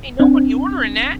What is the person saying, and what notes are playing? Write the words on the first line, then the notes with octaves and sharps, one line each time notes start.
Ain't nobody ordering that."
C4 D4